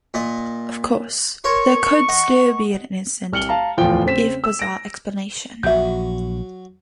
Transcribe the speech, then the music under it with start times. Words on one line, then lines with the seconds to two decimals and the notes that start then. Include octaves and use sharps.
Of course, there could still be an innocent if bizarre explanation.
0.14 A#2 D#5
1.44 A#4 C#5 C6 C#6
2.09 D#5 F#5
3.32 C2 F6 C#7 F#7 G7
3.49 F5 A5 A#5
3.77 D1 E2 F3 F4 G5
4.06 C#3 C4 B6 E7
4.44 E6
4.59 A#6 D7
5.63 A#1 F#3 F#4 E5 G6